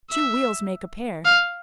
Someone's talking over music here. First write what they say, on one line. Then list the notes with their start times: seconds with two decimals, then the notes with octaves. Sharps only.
Two wheels make a pair.
0.11 E5
1.25 F5